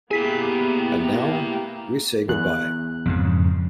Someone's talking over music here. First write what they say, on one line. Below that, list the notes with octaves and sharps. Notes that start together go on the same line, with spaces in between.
And now, we say goodbye.
A#3 B3 E4 G4 G#4 G#5 B6
E2 F#6
F2 G#2 C#3